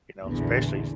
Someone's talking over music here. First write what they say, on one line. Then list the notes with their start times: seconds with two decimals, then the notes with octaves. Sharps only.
You know, especially s
0.24 A#1 E2 D3